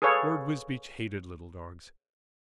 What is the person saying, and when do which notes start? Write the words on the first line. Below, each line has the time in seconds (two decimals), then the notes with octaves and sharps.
Lord Wisbeach hated little dogs.
0.02 G#4 A4 B4 C#5 F5